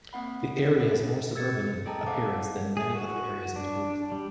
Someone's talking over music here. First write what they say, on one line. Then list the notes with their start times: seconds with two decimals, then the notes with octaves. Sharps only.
The area is more suburban in appearance than many other areas in Duluth.
0.13 A#3 C4 F#5 B5
0.78 G#4 A4
1.35 E6 G#6 A6 C#7
1.86 G#4 A4 D#5 G5 A5 A#5
2.06 C5 F5 F#5 A5 D6
2.77 G#4
2.95 F#4
3.56 D4
4.12 G3